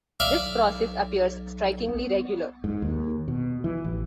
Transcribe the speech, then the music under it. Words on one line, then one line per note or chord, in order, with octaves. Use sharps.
This process appears strikingly regular.
B1 D5 E5 F5
B3
G#2
D#2
B2
E3
A1